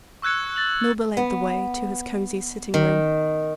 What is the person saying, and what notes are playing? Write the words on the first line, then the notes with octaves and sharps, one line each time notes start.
Milburgh led the way to his cosy sitting-room.
C#6 E6 F#6 G#6 C#7
A6 F#7
B3
D#3